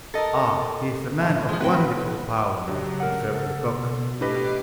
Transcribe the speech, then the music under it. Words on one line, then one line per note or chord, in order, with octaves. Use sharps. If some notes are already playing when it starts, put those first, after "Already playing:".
"Ah, he's a man of wonderful power!" observed Lecoq.
A4 A#4 D#5 A6
A2 F3 A3
F3 G#3
G#1 A2 F#4 B4 G5
C#3 F#3 D4 G4
A#4 F#5
A4
B2
A2 D4 G4 B4 D#5 D6 C7